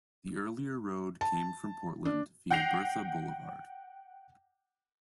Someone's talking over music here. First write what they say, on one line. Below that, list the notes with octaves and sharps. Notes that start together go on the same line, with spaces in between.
The earlier road came from Portland via Bertha Blvd.
A5
D4
F#5 G5 G6 A#6 C7 F7